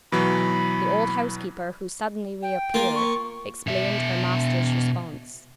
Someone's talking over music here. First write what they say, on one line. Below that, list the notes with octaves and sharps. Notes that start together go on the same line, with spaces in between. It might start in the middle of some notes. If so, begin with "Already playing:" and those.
The old housekeeper, who suddenly reappeared, explained her master's response.
B2 E3 F#3 B5
G5
A#3 F4
C#6
B2 E5